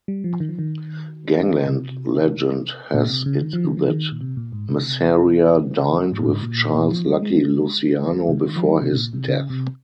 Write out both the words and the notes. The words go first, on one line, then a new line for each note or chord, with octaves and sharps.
Gangland legend has it that Masseria dined with Charles "Lucky" Luciano before his death.
G3
F3
D#3
F3
D#3
C3
A#2
C3
C#3
D#3
F3
D#3
F3
D#3
A#2
C3
A#2
G#2
C3
G#2
A#2
G#2
A#2
A#2
F3
G3
G#3
C3
C#3
D#3
F3
G3
C3
C3
A#2
C3
C#3
C3